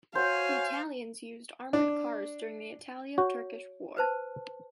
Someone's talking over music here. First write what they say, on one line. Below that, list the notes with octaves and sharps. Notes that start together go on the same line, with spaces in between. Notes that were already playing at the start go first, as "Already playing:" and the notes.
The Italians used armored cars during the Italo-Turkish War.
F#4 C5 C#5 F5 G#5
D4
F#4 C#5
B4 C5 A5